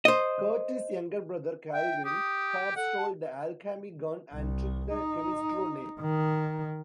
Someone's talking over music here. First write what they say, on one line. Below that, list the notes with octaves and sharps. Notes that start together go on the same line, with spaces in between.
Curtis' younger brother Calvin Carr stole the alchemy gun and took the Chemistro name.
C5 D#5
E5 G5
G4 D#6
A4 F#5
A5
C2
D#4
D#3